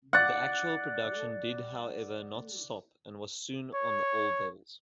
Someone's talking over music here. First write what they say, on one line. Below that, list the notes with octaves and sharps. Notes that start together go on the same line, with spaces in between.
The actual production did however not stop and was soon on the old levels.
D5 F#5
C#5